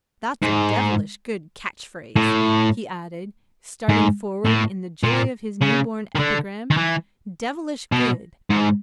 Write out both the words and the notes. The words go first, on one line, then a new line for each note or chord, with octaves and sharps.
That's a devilish good catch-phrase," he added, starting forward in the joy of his newborn epigram: "Devilish good.
G#2
A2
G#2
A2
A#2
C#3
D#3
D3
D#3
E3
B2
G#2